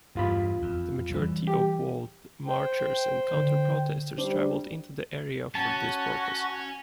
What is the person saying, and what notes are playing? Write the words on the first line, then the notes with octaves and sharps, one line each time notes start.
The majority of both marchers and counter-protesters travelled into the area for this purpose.
E2 G2 F4 B5
F2
E3 G3
G4
C5 G5
D3
G3 D4 C5
C#4 F#4 A5